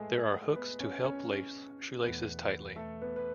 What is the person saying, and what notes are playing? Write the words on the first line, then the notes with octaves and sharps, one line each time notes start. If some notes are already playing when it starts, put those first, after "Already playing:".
There are hooks to help lace shoelaces tightly.
Already playing: A2 G#3 A3 G#4 B4
B3 B4
C#4 C#5
C#4 C#5
E2 B2 A3 B3 B4
A3 A4
B3 B4
B4